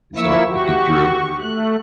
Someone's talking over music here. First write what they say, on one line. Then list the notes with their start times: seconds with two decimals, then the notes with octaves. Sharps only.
it's all thinking through,
0.16 F3 A#3 E4 E5 C#6 E6
0.48 F#4 G4 C#6
1.41 A3 F#6